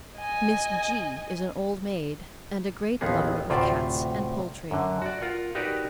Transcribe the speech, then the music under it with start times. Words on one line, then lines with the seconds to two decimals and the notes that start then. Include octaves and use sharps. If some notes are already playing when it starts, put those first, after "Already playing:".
Miss G---- is an old maid, and a great lover of cats and poultry.
0.16 D#5 G#5
3.01 A1 D#2 F3 B3 D#4 G#4
3.50 D2 A2 C3 F4 C5 D5
4.71 F#2 D3
5.02 F#4 D5
5.22 F4 A#4 F#5
5.55 D#4 F#4 G4 A#4 B4 D5